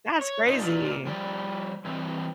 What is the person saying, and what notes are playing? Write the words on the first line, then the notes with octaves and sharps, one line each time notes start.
That's crazy.
C#5
A#2 D4 D#4 F4
B2 A#3 F4 D5
F3 G3 D5
E3 G3 C4